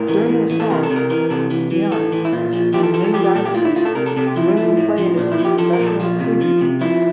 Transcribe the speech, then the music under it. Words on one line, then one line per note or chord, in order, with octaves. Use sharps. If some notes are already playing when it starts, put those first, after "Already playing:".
During the Song, Yuan, and Ming dynasties, women played in professional Cuju teams.
Already playing: A2 A#4
E3
A2
E3
A4
C3 A#4
A4
C3
A#4
E3 A#4
C3 A4
E3
E3
A2 A4
E3
E4
A#2 F4
F3
F3 G4
A4
F3 A4
A4
F3 G4
G4
A#2 A4
G4
A2 F4
E4
A2 F4
A4
C3 A#4
A4
C3 A4
G4
F3 E4
F3
A2
F3
A#2 D4
E4
F3
G4
F3 A4
A#4
A#2
A4
F3 F4
C3
F3
C3
F3 E4